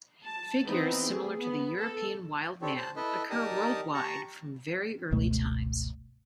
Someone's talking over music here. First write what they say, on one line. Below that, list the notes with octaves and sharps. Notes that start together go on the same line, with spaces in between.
Figures similar to the European wild man occur worldwide from very early times.
A5
E3 B3 C4 D#4
A3 G#4
B3
A4
C4 D4 G4 A4 C#5
C5 A5
E4 A4 B4 D#5 E5
D#4 G4 A#4 D5 A5 D#6
G4 A5 A#5 C#6
G1 C#2 B2 A3